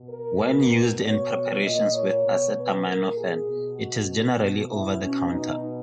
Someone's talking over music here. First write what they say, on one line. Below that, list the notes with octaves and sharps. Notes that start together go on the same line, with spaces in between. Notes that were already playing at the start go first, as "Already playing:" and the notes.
When used in preparations with acetaminophen it is generally over the counter.
Already playing: B2
A#4
B2
B2 C#5
A#2 D#5
C#5
B2
B4
A#2 A#4
G#4
B2
F#4
B2
B2 E4
C#4
B2 D#4